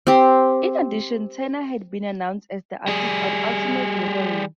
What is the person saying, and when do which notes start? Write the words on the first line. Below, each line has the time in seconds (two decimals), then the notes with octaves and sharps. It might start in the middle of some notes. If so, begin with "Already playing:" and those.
In addition Turner had been announced as the artist on "Ultimate Wolverine".
0.07 C4 G4
2.88 G3 G#4